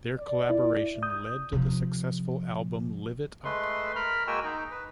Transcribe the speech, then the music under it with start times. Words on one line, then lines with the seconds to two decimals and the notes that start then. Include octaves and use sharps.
Their collaboration led to the successful album "Live It Up".
0.18 D5
0.50 E4
1.03 D#6 G6
1.52 C3 F3
3.45 G#3 A3 B4 C6
3.96 A#4 B5 F6
4.27 G#3 A#3 F#4 G5 G#5 E6
4.44 D#4
4.71 B4